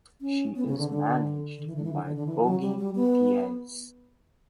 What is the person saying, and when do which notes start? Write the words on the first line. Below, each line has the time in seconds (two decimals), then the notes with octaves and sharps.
She is managed by Ogie Diaz.
0.21 C#4
0.56 B3
0.67 C#3
0.78 D3
0.90 D3
1.58 D3
1.67 E3
1.76 D3
1.84 E3
1.93 D3
2.04 D3
2.15 D3
2.27 E3
2.44 F#3
2.61 G3
2.78 G3
2.95 B3